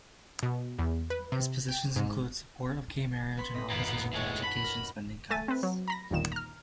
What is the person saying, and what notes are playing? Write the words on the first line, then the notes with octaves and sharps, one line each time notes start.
His positions include support of gay marriage and opposition to education spending cuts.
B2
E2
B4
C3
G5
G#2
B3 B5 C6
A2 D#5 B5
D#1 F#2 A#3 B3 B5
A2 G#3 C#5 G#5 A5
F#5 A5 B5 B6
A#4
A3 E5 G#5 A6 D#7
C4 B4
F#3
A#5 B5 A#6
G1 D#2 A#2 D#3 E7
A#5 F6